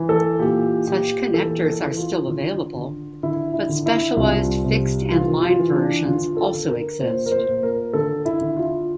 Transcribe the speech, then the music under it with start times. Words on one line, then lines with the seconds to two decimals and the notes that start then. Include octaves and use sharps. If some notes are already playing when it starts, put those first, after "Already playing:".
Such connectors are still available, but specialised fixed and line versions also exist.
Already playing: E3
0.09 A4
0.39 A#2 G4
0.87 A#2 G4
1.34 E3 A4
1.65 A4
1.82 E3
1.97 F4
2.28 D3
2.75 D3
3.23 D3 E4
3.54 E4
3.69 D3
3.86 E4
4.16 C2 F4
4.64 C3
5.11 E3 F4
5.42 F4
5.59 E3
5.74 D4
6.05 D3 F4
6.37 A4
6.52 D3
6.69 A#4
7.00 A#2 C5
7.26 A#4
7.32 C5
7.47 A#2
7.63 A#4
7.93 D3 A4
8.26 E4
8.41 D3
8.57 F4